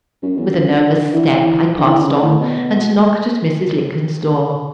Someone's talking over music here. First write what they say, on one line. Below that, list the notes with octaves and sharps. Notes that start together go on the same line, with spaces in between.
With a nervous step I passed on, and knocked at Mrs. Lincoln's door.
F#2
E2
F#2
F#2
D3
D3
E3
E3
D3
E3
D3
C#3
A2
B2